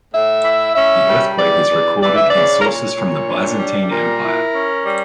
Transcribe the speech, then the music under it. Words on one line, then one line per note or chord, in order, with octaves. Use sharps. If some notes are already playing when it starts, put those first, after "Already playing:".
The earthquake is recorded in sources from the Byzantine Empire.
A2 E5
E4
C#4 E5
G3
E2 D5
E2
E3 D5
E5
C#3 D5
A#4
A#2 C#5
A#2
D4
G3
A#2 A#4
E4
C#4
G3